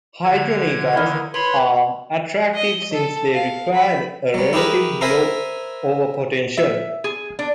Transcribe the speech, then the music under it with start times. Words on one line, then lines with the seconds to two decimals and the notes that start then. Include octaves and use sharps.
Hydrogenases are attractive since they require a relatively low overpotential.
0.23 D3 G#6
0.93 D#3 E3 A#3
1.34 B4 C#5 B5 C6
2.55 D#5
2.93 A4
3.33 F5
3.74 B5
4.34 F#3 G3
4.53 E4 G4 G#4 A#4 B4
5.01 A#4 C5 E5 G#5 A#5 B5
6.57 E5
7.04 G#4
7.39 D4